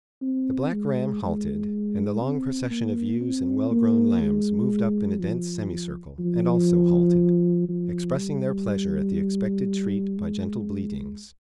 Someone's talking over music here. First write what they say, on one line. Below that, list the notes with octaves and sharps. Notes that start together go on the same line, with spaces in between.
The black ram halted, and the long procession of ewes and well-grown lambs moved up in a dense semicircle, and also halted, expressing their pleasure at the expected treat by gentle bleatings.
C4
G#3
G#3
C4
A#3
C4
A#3
G#3
F3
F3
F3
G3
G#3